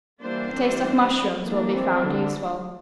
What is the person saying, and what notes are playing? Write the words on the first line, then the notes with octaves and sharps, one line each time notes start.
A taste of mushrooms will be found useful.
E3 G3 A#3 D4 F4 C5
C4
C4
E3 A3 A#3 D4
C4
D3